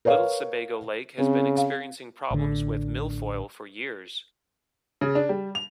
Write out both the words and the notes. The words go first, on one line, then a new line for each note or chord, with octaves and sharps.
Little Sebago Lake has been experiencing problems with milfoil for years.
A#4 B4 C#5 F5
C#3 C4
F5
A1 D3
C#3
D4
G3
F7